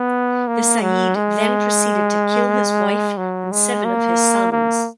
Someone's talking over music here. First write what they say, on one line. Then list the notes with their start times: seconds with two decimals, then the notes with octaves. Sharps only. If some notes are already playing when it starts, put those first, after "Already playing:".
The Sayyid then proceeded to kill his wife and seven of his sons.
Already playing: B3
0.48 A#3
0.81 F#3
1.15 G#3
3.17 F#3
3.51 G#3
3.85 A#3
4.52 A#3